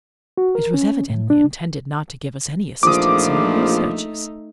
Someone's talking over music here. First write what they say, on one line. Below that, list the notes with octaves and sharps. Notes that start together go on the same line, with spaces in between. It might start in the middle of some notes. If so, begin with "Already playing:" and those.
It was evidently intended not to give us any assistance in our researches.
F#4
A#4
C#4
A2
D4
A#1 E2 A#2 F3 A3 D#4 D6 D#6